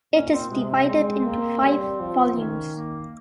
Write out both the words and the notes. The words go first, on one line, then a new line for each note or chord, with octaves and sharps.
It is divided into five volumes.
A#2 C#4
C4
C3 G#3
C4
G#3
A#3
G3
F3
D#3 C#4
A#3